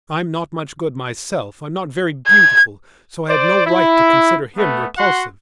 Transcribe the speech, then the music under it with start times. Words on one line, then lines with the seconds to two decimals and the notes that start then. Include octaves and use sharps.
I'm not much good myself, I'm not very beautiful, so I had no right to consider him repulsive.
2.28 G#6
3.28 C5 D5
3.66 E4
4.56 A3 B3
4.96 F#4 F#5 C6